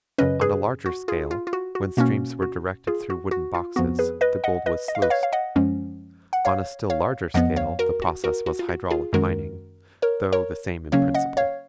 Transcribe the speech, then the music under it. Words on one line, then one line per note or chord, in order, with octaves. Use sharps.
On a larger scale, when streams were directed through wooden boxes, the gold was sluiced; on a still larger scale, the process was hydraulic mining, though the same in principle.
F#2 C#3 F#3 C#4 B4 D#5
G#4 B4
F#4
F4 G#4
F4
F4
F#4
F#4
B2 A#3 C#4 F#4
F#4
F4 G#4
F#4
F#4
F4
F2 F3 B3 F#4
G#4 B4
B4 D#5
D#5 F#5
B4 D#5
D#5
F5
B4 D#5
C#5 F5
F5
D#5 F#5
F#2 F3 G#3 C#4
F#5
C#5 F5
C#5 F5
F2 F3 B3 D#5 F#5
C#5 F5
F#4 A#4
F#4
F#4 A#4
F#4
F4
F#4
F4 G#4
F#2 D#3 G#3 C#4 F#4 A#4
A#4 C#5
A#4 C#5
C#3 F#3 A#3 C#4 C#5 F5
D#5 F#5
C#5 F5